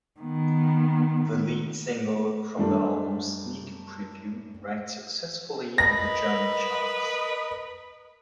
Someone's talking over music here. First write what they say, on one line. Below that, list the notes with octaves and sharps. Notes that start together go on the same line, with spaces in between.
The lead single from the album, "Sneak Preview", ranked successfully on the German charts.
D#3 B3
F#2 G3 A3 D4
A#4 B4 D#5 A#6